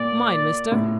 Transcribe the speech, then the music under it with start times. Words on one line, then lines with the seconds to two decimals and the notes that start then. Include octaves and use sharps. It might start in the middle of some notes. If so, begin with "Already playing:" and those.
"Mine, mister."
Already playing: A#2 D5
0.72 A2